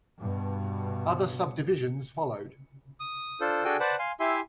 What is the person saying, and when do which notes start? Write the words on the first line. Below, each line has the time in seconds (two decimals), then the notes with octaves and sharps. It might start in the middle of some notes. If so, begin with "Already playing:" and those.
Other subdivisions followed.
0.20 G2 B2
3.00 D#6
3.41 D4 F4 A4 C5
3.64 D4 F#4 G#4 A4 G5 G#5
3.80 B4 C5 D5 F#5 A5
3.99 F5 G#5 C6
4.20 E4 G4 E5 G#5 C6